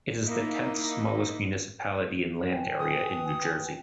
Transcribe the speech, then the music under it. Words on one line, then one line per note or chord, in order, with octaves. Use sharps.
It is the tenth-smallest municipality in land area in New Jersey.
A#3 D#4 E4
B4 G5 G#5
D#6